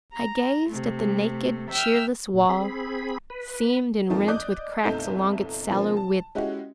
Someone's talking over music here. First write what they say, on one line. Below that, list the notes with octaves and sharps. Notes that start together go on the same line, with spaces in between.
I gazed at the naked, cheerless wall, seamed and rent with cracks along its sallow width.
A#5
C3 A3
E5 G5 E6 F6
A#2
C4 G#4 B5
B4
G#2 D#3 F3 A3 A#3 C4
D5 D#5 D6 D#6 F#6 G6
G1 C2 A3 D#4 A4 G6
B2 D3 F3 A#3 C4
A5
G#3 C#4 E4 F#4 G4